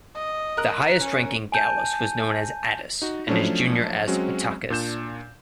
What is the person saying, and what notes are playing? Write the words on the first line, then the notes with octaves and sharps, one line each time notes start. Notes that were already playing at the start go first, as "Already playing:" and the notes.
The highest ranking Gallus was known as "Attis", and his junior as "Battakes".
D#5
A#4 F#6
C#4
G#5 A5 G6 D#7
D#4 F#4
F3 F#3 A3 C#4 D4 E4
F#3 G#3 C4 C#4 F#4
A#2 D4 G6 E7